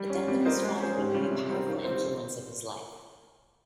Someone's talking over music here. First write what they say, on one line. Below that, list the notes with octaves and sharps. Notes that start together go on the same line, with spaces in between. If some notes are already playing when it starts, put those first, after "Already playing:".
The death of his father would be a powerful influence of his life.
Already playing: G3
C#4 F4
G3 C4
A#3 F4 C5 D#5
G#3
C#4 G#4 C5
G#2 G4
G3 C#4 F4
C3
G3 C4 F4 A#4
D#3 F4
G3 C4 F4 C5